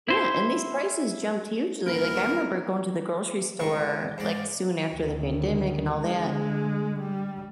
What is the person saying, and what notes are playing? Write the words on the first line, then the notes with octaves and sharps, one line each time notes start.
Yeah, and these prices jumped hugely, like, I remember going to the grocery store, like, soon after the pandemic and all that,
E4 C5
D#1 B3 E4 A#4
C#2 A2 C#6
G#2 D5
D2 D#3
D3 G#3
G3